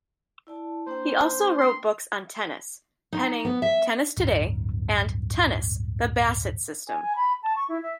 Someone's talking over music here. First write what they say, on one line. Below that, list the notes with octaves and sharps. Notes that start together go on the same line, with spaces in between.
He also wrote books on tennis, penning "Tennis Today" and "Tennis: The Bassett System."
E4 D5 A5
A#3 D4 C5 G5
C6
D#4
B3
E5
D1 G1
G#5
G#5
B5
A5
C#6
E4
E5